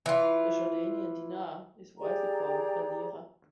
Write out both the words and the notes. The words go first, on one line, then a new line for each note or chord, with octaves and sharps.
The Jordanian dinar is widely called a "lira".
E3 F4
G4 G#4 D5 A#5